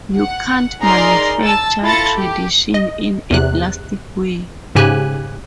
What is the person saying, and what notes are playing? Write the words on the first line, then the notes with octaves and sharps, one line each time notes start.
You can't manufacture tradition in a plastic way.
F#5
D#4 G#4 A#4 D5 A#5 C6
A5 E6 A6
E4 F4 A4 A6 A#6 C#7
G4
D#5
E2 C3 F#6
G#2 C#3 G4 G#5 F#6